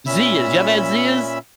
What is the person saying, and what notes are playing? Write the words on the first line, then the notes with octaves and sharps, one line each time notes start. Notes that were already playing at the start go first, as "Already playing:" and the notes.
Zea's. You ever had Zea's?
A#2 C#4 E5 B5 E6